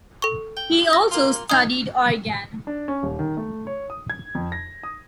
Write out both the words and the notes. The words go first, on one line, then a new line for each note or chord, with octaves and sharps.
He also studied organ.
A4 C#6
G5
A#6
A#3 F4
D#4 F5 G#5 D#6 G#6
D4
C#4
D#1
D#3
A3
C#5
D#6
G#6
F2
A#6
D#6